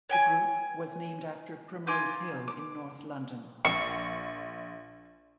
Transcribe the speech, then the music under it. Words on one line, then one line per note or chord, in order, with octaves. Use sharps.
The group was named after Primrose Hill in North London.
C#5 G5 G#5
D#4 F4 G#5 D6
D6
A#1 C#6